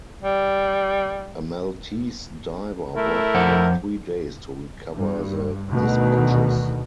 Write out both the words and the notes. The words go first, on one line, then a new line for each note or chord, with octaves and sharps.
A Maltese diver worked for three days to recover the dispatches.
G3
A3 E4 A#4
F2 C5 F#5
G2
D2 B2 D#3